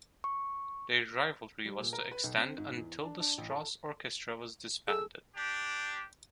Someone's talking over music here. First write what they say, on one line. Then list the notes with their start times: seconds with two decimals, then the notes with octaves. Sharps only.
Their rivalry was to extend until the Strauss Orchestra was disbanded.
0.24 C#6
1.66 G3
1.81 A#2
1.93 A#4
2.11 B4
2.24 B1
2.37 C4
2.58 G#2
2.78 E2
3.03 D4
3.20 D4
3.38 A1
3.50 A4
4.88 G#4 A4 E6
5.35 D4 G4